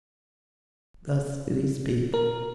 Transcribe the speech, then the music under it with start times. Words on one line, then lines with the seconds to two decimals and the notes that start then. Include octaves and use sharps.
Thus did he speak.
2.14 A#4